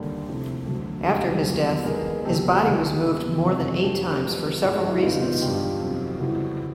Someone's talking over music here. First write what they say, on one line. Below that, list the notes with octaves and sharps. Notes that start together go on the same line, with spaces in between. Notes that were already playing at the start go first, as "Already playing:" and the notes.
After his death, his body was moved more than eight times for several reasons.
Already playing: D#2 D3 G3 A#3
C2 C3 F3 A3
E1 D2 D3 F#3 A3
F1 D#2 D3 G4 A4
E2 B2 F#3 A#3
D#2 D#3 G#3 B3 G#4 A#4
C#2 B2 F#3 A#3 G4 A4
D#2 D#3 G3 B3
F#1 E2 C#3 E3
F1 F2 C3 D#3 G#3
F2 D3 F#3 A3 G4 A4
D2 D3 F3 G#3 B3
A#1 G#2 D#3 F#4 G#4
F#4 G#4
E4 F#4
F#1 E2 B2 G#3 B3 D#4 F4
D#4 F4
G2 D3 G3 F4 G4
F2 C3 D#3 F#3
G1 F2 C#3 E3 G3 E4 F#4